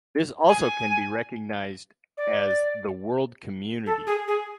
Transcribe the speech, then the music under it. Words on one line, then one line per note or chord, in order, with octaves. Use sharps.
This also can be recognized as the World Community.
G#5
D5
A4
G#4
G#4